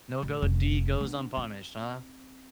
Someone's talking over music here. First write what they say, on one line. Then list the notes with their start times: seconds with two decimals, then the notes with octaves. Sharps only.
No go deed goes unpunished, huh?
0.22 A1
0.42 F1 C#3
1.01 B3 D4
1.37 C4